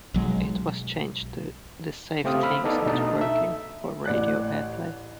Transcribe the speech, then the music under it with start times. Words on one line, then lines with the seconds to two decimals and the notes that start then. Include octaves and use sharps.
It was changed to "This safe thing's not working" for radio airplay.
0.14 B1 F#3 G#3
2.24 C#3 A3 C4 G4 F5 D#6
2.43 B5 E6 F6
2.64 B3 D#4 A4 D5 D#5
2.86 B2 A3 D4 D#4 A5 D#6
3.21 A4 E5
4.05 A1 D5 F#6